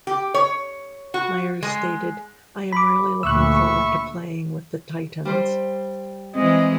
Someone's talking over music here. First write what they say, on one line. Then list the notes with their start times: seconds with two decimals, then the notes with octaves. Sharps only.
Meyers stated, I am really looking forward to playing with the Titans.
0.07 G4
0.34 C#5
1.14 F#4
1.63 G#3
2.73 B5 D6
3.23 D2 A#2 E5 B5 C#6 E6 F#6
5.25 G3 C5
6.35 E3 G#3 C4 D#5